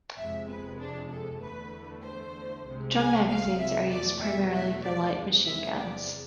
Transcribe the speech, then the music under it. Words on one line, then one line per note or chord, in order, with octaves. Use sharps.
Drum magazines are used primarily for light machine guns.
F2 C3 G#3 E5
B4
D4
A4
E2 D3 A3 B4
C5
C2 C3 G#3
G#5
F5
E5
E2 B2 A3 D5
E5
E5
D5
E2 C3 G#3
E5
D5